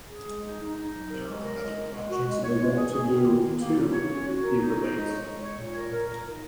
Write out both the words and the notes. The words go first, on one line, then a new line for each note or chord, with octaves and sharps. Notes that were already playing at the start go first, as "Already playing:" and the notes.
"There are other projects I want to do, too," he relates.
G#4
G#3
D#4
D#4
D#4
F#3
A#4
G#3
A#4
G#3
A#4
G#3
F#4
G#3
C#5
G#3
G#4
G#4
D#3
D#3
D#3
A#3
A#3
C#5
C#4
F#4
A#4
D#4
D#4
G#3
C#5
G#3
C#5
A#2
A#4
A#4
A#4
D#4